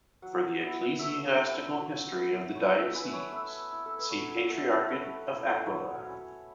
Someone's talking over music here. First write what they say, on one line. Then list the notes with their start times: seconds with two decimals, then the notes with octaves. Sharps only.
For the ecclesiastical history of the diocese, see Patriarchate of Aquileia.
0.22 F#3 F#5
0.61 B3 E4
0.99 A3 E5
1.39 E4
1.78 F#3 C#5
2.16 B3 E4
2.55 A3 C#5
2.75 E5
2.94 C#4 E4 B4
3.07 B4
3.13 C#5
3.33 A3 E5
3.72 E4
3.86 A4
3.99 B4
4.10 F#3 C#5
4.31 A4
4.49 B3 E4 A4
4.69 A4
4.81 A4
4.89 A3 B4
5.27 E4
5.66 F#3 C#5
6.05 C#4 E4